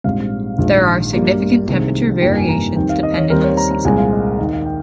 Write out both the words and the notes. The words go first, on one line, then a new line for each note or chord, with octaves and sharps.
There are significant temperature variations depending on season.
A#1 G#2 G3 C4 F5
A#1 G#2 D#3
G2 G3 A#3
C2 C3 D#3 G#3
G1 F2 D#3 G3 A#3 G5
G#5
A#5
D#2 D#3 G3 C4 G5
F5
D#5
C#5
D#2 D#3 G3 C4 A#4
C#5
A#5
A#5
C2 A#2 G#3 C4 G#5
F5
D#5
D#2 D#3 A#3 D#5
F5
G5